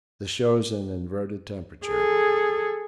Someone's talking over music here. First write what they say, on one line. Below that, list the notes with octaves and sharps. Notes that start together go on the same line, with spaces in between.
This shows an inverted temperature.
G#4 A4